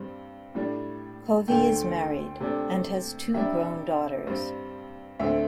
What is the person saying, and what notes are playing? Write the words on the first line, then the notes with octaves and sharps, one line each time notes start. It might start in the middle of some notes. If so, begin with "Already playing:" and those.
Covey is married and has two grown daughters.
Already playing: G2 G3 C4
A2 G3 D4
D2 D3 A3 G5
C3 A3 D4
C3 G3 D4 E5
G2 G3 C4
D2 D3 A3 C4 E5